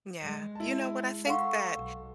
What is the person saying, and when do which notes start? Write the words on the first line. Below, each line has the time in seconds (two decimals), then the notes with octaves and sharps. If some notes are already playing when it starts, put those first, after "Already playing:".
Yeah. You know what, I think that
0.22 G#3
0.55 E4 A5
1.26 A4 F5 F#5 C6 C#6
1.75 B1